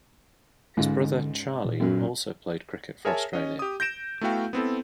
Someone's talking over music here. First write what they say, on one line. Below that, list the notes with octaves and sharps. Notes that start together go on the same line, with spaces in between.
His brother, Charlie, also played cricket for Australia.
C#2 G#2 D3 F4
A#2
B1 F#2 F#3
G#4 A#4 C#5 E5 G#5 A5
C#4 D#5
G4 D#6
G6 A#6 D7 E7
A3 B3 E4 F#4 F5 G5
B3 C4 E4 A4